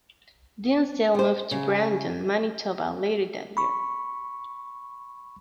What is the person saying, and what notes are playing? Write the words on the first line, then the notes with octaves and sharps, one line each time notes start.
Dinsdale moved to Brandon, Manitoba later that year.
G4 C5
C#3
B5 C#6